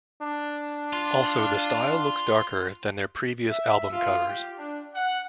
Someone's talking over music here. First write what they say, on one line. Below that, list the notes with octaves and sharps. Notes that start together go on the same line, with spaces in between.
Also, the style looks darker than their previous album covers.
D4
F4
E5
F4
G4
D4
F#5